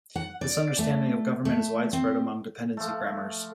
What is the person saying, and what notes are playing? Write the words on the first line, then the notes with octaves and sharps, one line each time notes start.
This understanding of government is widespread among dependency grammars.
F#5
D5
A3
A3
C4
F3 A3